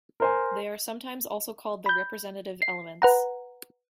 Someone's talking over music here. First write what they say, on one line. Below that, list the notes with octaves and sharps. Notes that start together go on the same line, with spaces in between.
They are sometimes also called the representative elements.
A#4 C5 G#5
B5 G6
C7
B4 F#5 A#5